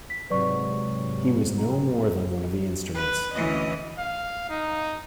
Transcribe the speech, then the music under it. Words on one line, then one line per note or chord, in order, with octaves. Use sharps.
He was no more than one of the instruments.
B6
G#2 C3 F#3 B4 D5 C#6
A#5
B4
D2 E3 C#4 D#5
F5
D#4